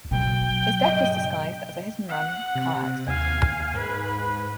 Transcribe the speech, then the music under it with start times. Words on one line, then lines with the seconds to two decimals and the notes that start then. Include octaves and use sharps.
His death was disguised as a hit-and-run car accident.
0.11 B2 F#3 G5
0.84 G2 C#3 D#5
2.09 F#5
2.55 C3
3.08 D#2 F5 G#5
3.74 G#2 B4